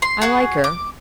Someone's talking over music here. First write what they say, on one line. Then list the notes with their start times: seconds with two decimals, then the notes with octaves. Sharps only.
I like her.
0.02 C6
0.22 F#4 G#4 F#5
0.64 D6